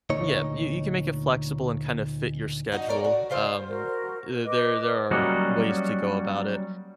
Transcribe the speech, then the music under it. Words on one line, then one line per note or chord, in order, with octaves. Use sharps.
Yeah, you you can make it flexible and kind of fit your schedule. Um, the there there are ways to go about it.
D2 A#2 D#4 C#5
D#4 F#4 D#5
A4 A#4 C#5 D5
F#4
C#3 F4 C5 D5
F#4 A#4 C5
B4 D#5 D6
F#3 G3 A#3 C#4 F#4 D#5